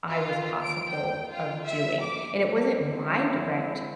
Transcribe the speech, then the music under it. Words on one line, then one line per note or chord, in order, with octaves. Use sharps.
I was possible of doing, and it wasn't my direct,
F4
D7
G5
F4
E5
D6
D3 G#3 C4 C#4 E4